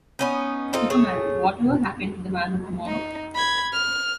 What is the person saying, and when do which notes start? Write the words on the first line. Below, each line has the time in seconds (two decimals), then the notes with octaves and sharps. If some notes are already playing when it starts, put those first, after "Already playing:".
Superman: Whatever Happened to the Man of Tomorrow?
0.19 B3 C#4 D#4
0.73 C4 D#4 F4 A4
0.90 A3 G#4 C#5
2.87 D#4
3.35 B5 G#6
3.72 F6